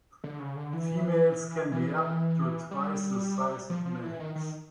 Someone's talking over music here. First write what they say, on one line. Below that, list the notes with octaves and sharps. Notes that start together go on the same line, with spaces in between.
Females can be up to twice the size of males.
D3
C#3
D3
E3
E3
G3
F3
F3
E3
D#3
D#3